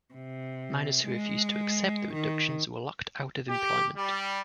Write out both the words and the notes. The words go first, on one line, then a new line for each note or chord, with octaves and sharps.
Miners who refused to accept the reductions were locked out of employment.
C3
G#3
D#3
G4
G3